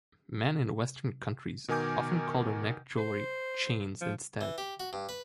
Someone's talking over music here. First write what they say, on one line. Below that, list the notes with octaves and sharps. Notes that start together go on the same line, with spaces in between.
Men in Western countries often call their neck jewelry "chains" instead.
B2 D#3 A#4 G#5 D6 G6
C5
F3
E3
G4
F#4
G2
B4